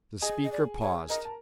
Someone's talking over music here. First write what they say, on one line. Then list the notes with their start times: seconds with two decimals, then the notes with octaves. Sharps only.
The speaker paused.
0.22 G#4 D#5 G#5
0.44 D#5
0.52 D5
0.81 C#5
1.09 A#4 D#5 A#5
1.25 A5